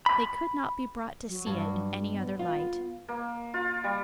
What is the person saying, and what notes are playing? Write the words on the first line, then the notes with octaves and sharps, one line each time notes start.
They could not be brought to see it in any other light.
B5
F#3
G2
B3
F4
A#3
F4
G3